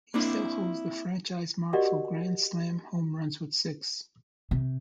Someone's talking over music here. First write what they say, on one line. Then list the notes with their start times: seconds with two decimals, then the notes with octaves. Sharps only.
He still holds the franchise mark for grand slam home runs with six.
0.14 A#3 C4 D4 E4
1.73 F#4 G4 A#4 D5 D#5 F#5
4.51 C3